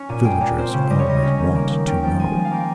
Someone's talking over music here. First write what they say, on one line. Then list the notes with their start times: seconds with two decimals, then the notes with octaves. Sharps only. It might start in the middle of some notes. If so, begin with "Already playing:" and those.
Villagers always want to know.
Already playing: C#4
0.09 A#2 G#5
0.25 G#3 G5
0.41 A#2
0.58 C4 C5
0.73 C#3
0.90 G3 D#5
0.99 C#5
1.06 C#3 D#5
1.23 C#4
1.39 D#3
1.55 A#3
1.70 D#3
1.87 C#4 G5
2.03 F3 G5
2.19 G#3 G#5
2.36 F3
2.45 F5
2.51 A#3 G5